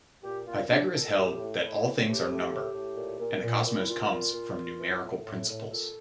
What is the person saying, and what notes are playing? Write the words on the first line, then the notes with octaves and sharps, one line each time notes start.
Pythagoras held that all things are number, and the cosmos comes from numerical principles.
A#2 G4
A#2 F4
A#2 D4
A#2 A4
A2 G4
A2
A2 E4
E3
A2 G4
A2
A2
A2
A#2
A#2
A#2
A#2
E4
A#2 F4
A#2
A#2
A#2
E3
A2
A2
A2
A#2 A4